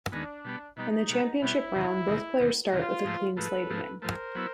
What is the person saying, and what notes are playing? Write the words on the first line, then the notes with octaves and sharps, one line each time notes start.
In the championship round, both players start with a clean slate again.
D#2 D#3 G#3 B3 D4
B2 G3 B3
B2 G3 B3 D#4
B2 G3 B3
B2 G3 B3 E4
E2 C3 D#3
E2 C3 D#3
E2 C3 D#3
E2 C3 D#3 F4
G#2 F3 A3
G#2 F3 A3 A4 B4
G#2 F3 A3
G#2 F3 A3 A#4 C5
F#3 B3 E4